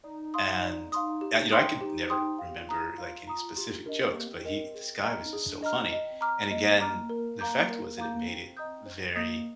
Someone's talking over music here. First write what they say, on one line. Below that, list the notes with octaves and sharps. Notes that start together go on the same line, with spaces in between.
and, uh, you know, I could never remember, like, any specific jokes, but he This guy was just so funny, and again, the fact was that it made it very
D#4 D5
F5 C6 D#6
D5
F5 C6 D#6
G4
C5 G5 C6 D#6
G4
C5 G5 C6 D#6
F4 F5
G4
F4
A#5 D#6
F5
A#5 D#6
F4 G4
D4 A#4 D#5
C4
A#3 G4
C4
A#4 D#5
G#4
D#5 A#5 F6
D#4
D4 G#4
D#5 A#5 F6
C4 D#5
A#5 D6 F6
A#3 D#5
A#5 D6 F6
A#4
F5 A#5 D6 G6
A#4
F5 A#5 D6 G6
A#3
C4 C5
D#5 A#5 D#6 G6
C4 C5
A#3 D#5 A#5 D#6 G6